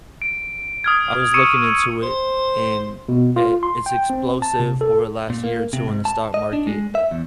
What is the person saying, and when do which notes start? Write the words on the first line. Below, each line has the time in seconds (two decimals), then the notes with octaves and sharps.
I was looking into it, and, it it's explosive over the last year or two in the stock market.
0.22 D7
0.84 D#6 F6 G#6
1.34 C#6 E6 C#7 D#7 E7
2.03 C5
3.09 B2
3.36 F4
3.63 C6
3.86 G5
4.10 C4
4.42 A5
4.60 C3
4.81 A4
5.30 A#2
5.44 A#3
5.73 C3
5.88 G#2
6.05 A5
6.34 D#5
6.53 D4
6.67 G#3
6.95 E5
7.11 E2